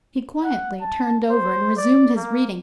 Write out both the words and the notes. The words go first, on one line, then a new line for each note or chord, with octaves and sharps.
He quietly turned over, and resumed his reading.
F#5
A5
C5
D5
A#3